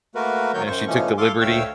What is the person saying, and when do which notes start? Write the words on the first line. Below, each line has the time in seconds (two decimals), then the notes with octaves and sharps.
Yeah, she took the liberty.
0.15 A3 A#3 F#4 A#4 B4
0.54 D#3 F#3 A#3 A#4 C#5 G6
0.67 F#2 C5 C#6
0.86 B2 E3 F3 A3 C#4
1.18 A4 F5 C6 D6
1.40 D2 A3 C#5 F5 G5 E6